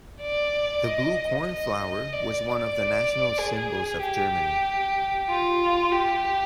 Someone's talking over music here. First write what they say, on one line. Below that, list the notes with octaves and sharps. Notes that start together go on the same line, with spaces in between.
The blue cornflower was one of the national symbols of Germany.
D5
D#5
D#5
D5
D5
G#4
G4
F4
G4